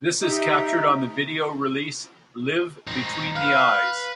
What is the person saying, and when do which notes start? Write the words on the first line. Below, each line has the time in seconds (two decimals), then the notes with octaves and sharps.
This is captured on the video release "Live Between the Eyes".
0.22 D#4 G4 E5
2.87 C4 D#4
3.36 B4 F5